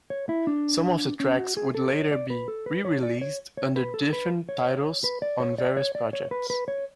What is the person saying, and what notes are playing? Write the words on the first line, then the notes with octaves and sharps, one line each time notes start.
Some of the tracks would later be re-released under different titles on various projects.
C#5
E4
D4
C#4
F#4
G#4
A4
C#5
D5
B4
A4
B4
C#5
D5
C#5
C#5
B4
A4
B4
C#5
B4
D5
C#5
D5
C#5
D5
C#5
B4
B4
C#5